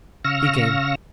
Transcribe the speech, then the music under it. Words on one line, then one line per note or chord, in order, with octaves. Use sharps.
He came.
C#3 F5 C#6 E6 F6 A#6